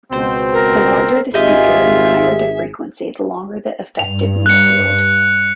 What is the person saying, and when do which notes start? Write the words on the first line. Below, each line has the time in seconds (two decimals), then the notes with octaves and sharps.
The larger the speaker, and the higher the frequency, the longer the effective nearfield.
0.13 C#2 B2 C4 C5
0.53 A#4
1.34 G#1 F4 G4 G#4 D#5 E5 G#5
3.99 G2 F7
4.46 F#6 C#7